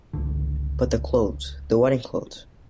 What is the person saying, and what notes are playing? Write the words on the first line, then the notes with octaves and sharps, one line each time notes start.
But the clothes, the wedding clothes!
G#1 C#2 D3